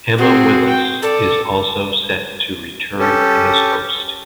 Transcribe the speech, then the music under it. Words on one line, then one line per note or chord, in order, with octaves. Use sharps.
Emma Willis is also set to return as host.
C4 F#4 G#4
G5
A4 D5
C#4 G4 A4